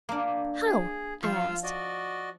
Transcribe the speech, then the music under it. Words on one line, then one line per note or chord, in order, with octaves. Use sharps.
"How?" I asked.
A#3 D4
G#4
F3 F4 F5 E6
F#4 D5 D#5